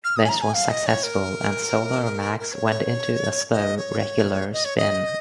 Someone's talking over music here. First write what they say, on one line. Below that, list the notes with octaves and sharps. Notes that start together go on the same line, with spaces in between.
This was successful, and Solar Max went into a slow, regular spin.
F6
D#6
G#5
A#5
G#5
F5
D#5
C#5
A#4
A#4
C#5
D#5
C#5
D#5
C#5
D#5